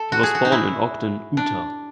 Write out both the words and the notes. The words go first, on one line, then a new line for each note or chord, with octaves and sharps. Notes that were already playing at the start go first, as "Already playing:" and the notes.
He was born in Ogden, Utah.
Already playing: A4
F#4
G#4
F#4
D#4
E4
D4